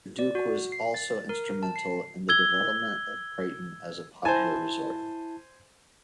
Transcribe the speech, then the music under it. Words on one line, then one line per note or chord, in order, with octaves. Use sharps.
The Duke was also instrumental in the development of Brighton as a popular resort.
D5
F#4
C7
A6
A#4
A5
C7
E6 G#6 G7
E4 C5 G#5 A5